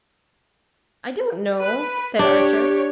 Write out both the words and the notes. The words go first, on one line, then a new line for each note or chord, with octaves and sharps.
"I don't know," said Archer.
B4
D4 G4 C#5